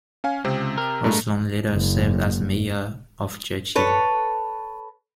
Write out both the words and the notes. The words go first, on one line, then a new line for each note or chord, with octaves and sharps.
Osland later served as mayor of Churchill.
C#4 F5 G#5
C#2 C3 C4
A#4
G2 G#3 A3
F#1
A4 B4 C#5